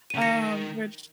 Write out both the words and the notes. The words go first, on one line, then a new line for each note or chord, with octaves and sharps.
um, which
C#3 D#7
D#3 A#6 C#7